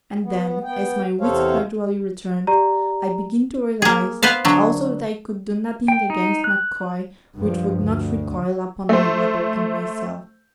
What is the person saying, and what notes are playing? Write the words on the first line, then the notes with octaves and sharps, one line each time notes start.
And then, as my wits gradually returned, I began to realize also that I could do nothing against MacCoy which would not recoil upon my mother and myself.
B3
B3 G5
E2 C3 A4 C5 C#5 F5
G4 D5 A#5
A#3 G#4
B3 B4 C5 F5
D3 F#3
G5
D#4
F#6
G2 F3
D2
A3 C5